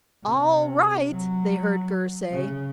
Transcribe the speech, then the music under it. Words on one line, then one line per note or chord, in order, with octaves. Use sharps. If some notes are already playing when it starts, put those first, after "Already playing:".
"All right!" they heard Gurr say.
C3
F#3
C#3